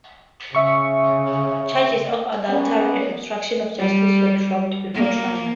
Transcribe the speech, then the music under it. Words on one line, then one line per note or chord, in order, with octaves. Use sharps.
Charges of adultery and obstruction of justice were dropped before trial.
C#3 E5 C#6
A#3 B3 C#4
G3
A#3